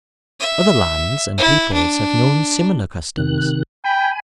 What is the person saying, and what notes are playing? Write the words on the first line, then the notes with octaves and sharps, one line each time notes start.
Other lands and peoples have known similar customs.
E5
E4
D4
C3 D#3 F#6
G5 G#5 B5